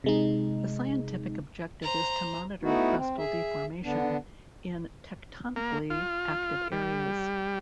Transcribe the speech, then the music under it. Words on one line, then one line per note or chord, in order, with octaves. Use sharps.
The scientific objective is to monitor crustal deformation in tectonically active areas.
C3 G#3 D#4
C5 A#5
A3 B3 D#4 E4 F#4
C4
G#4 E5
D3 B3 D4
A#3
F4
G3